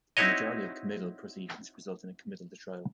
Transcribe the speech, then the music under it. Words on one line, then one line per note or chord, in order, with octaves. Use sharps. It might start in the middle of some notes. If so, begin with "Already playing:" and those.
The majority of committal proceedings result in a committal to trial.
C4 D#4 E4 F#4 C#5 D#5